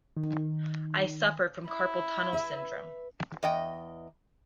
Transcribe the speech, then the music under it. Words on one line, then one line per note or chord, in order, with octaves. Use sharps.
I suffer from carpal tunnel syndrome.
D#3
E4
B4 E5
E2 D#5 G5